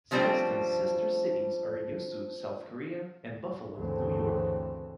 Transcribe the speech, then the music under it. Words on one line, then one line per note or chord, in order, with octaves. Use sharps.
Sikeston's sister cities are Yeosu, South Korea and Buffalo, New York.
C#3 F3 G3 C4 D4
D2 G2 C#3 E3 A3 C4